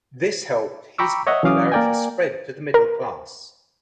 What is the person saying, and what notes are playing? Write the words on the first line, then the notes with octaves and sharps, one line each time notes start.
This helped his popularity spread to the middle class.
G5 A#5 B5 C#6 D6 E6
C#5 D#5 E5 F#5
E3 F#3 C#4 F5 D6 D#6
A#3 A#4 D5 G5 G#5
A#4